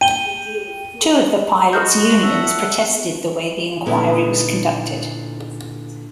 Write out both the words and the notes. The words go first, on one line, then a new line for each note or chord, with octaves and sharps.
Two of the pilots' unions protested the way the inquiry was conducted.
G5 D#7 G7
G#3 F#4 D#6 F6 G6
A4 E5 F#5
A#2 D3 B3 D#4 E4